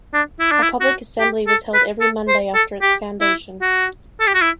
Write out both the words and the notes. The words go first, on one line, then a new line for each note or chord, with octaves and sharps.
A public assembly was held every Monday after its foundation.
D4
E4
D4
E4
F#4
G4
A4
B4
A4
C5
A4
G4
E4
F#4
A4
G4
F#4
E4